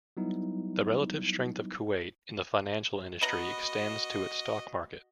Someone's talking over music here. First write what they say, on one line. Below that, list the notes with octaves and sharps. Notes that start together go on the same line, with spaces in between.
The relative strength of Kuwait in the financial industry extends to its stock market.
F#3 G3 B3 D#4 E4
B3 F#4 D#5 A#5